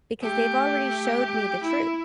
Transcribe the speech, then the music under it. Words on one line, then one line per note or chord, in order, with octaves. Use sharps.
because they've already showed me the truth.
A3 G4
E4